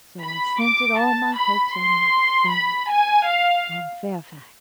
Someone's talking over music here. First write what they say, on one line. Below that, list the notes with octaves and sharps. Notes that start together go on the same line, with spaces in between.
So I centered all my hopes on my son--on Fairfax.
B5
D6
A5
B5
C6
B5
G#5
F5